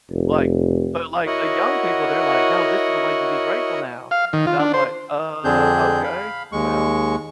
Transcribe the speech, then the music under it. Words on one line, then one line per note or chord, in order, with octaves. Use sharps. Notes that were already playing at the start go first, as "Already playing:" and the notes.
like but, like, the young people, they're like, "Yo, this is the way you'd be grateful now!" And I'm like, "Uh, okay, well"
F1
E4 F#4 A#4 C#5 D#5 F#5
F5
D#3
F4
D4
C5
F2 D3 C4 D4 G#4 G6
F5 B5
D#2 G#3 C#6